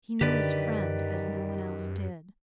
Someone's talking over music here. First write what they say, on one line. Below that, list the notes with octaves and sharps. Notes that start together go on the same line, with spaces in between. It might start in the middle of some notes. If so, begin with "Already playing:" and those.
He knew his friend as no one else did.
F#2 D3 D#3 G4 B4 D5